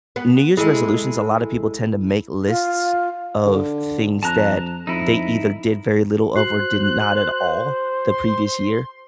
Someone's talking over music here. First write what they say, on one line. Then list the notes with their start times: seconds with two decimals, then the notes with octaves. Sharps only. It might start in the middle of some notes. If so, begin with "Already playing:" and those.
New Year's resolutions, a lotta people tend to make lists of things that they either did very little of or did not at all the previous year,
0.16 B3
0.57 G#3 E4 G#4 A4
2.47 F4
3.46 D3
4.23 F2 A5 A#5 F#6
4.87 F2 D#4 E4
6.36 F#4 C5 F#6 C7
8.09 C6